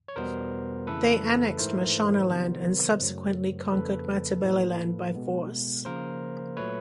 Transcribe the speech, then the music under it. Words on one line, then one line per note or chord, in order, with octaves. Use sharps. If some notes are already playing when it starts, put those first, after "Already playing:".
They annexed Mashonaland and subsequently conquered Matabeleland by force.
C#5
E2 B2 G3 B3 A#4 C5
F2 C#3 E3 A3 A4 B4
G#2 E3 A3 A#4 C5
C3 D#3 F#3 B3
F#2 C#3 F#3 A3
F2 C#3 F3 A#3 A4 B4
A2 F3 A#3
B2 G#3 B3
C#3 F3 A#3 A#4 C5
A#2 F#3 A3 B4 C#5